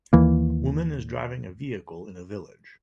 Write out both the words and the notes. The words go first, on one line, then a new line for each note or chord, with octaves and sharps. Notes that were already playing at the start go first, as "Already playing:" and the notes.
Woman is driving a vehicle in a village.
D#2 E3 A#3